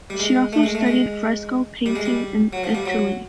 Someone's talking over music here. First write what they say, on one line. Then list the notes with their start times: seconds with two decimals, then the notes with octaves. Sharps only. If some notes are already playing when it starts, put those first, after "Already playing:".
She also studied fresco painting in Italy.
0.10 G3
0.19 G#3
0.53 A3
0.63 G#3
0.75 A3
0.86 G#3
1.86 G3
1.95 G#3
2.06 G3
2.53 F#3
2.64 F3
2.75 G3
2.85 F#3